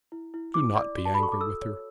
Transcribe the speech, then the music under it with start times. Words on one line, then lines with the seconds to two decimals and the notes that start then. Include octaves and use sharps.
'Do not be angry with her.
0.12 E4
0.34 E4
0.54 E4 D6
0.76 D5
0.97 F#4
1.05 A5
1.14 B5
1.19 A4 C#6
1.32 D6
1.40 A4 E6
1.62 C#5